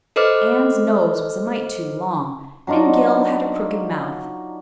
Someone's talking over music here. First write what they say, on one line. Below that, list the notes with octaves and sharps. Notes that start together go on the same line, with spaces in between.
Anne's nose was a mite too long and Gil had a crooked mouth.
A4 B4 C5 D#5 D6 F6
F#3 D4 D#4 F4